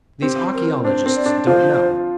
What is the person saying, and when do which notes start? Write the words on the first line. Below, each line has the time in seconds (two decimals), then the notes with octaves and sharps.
These archaeologists don't know.
0.22 C4 G4
0.54 A#4
0.84 D4 C5
1.06 C4
1.16 D5
1.26 D4
1.46 F3 F4 C5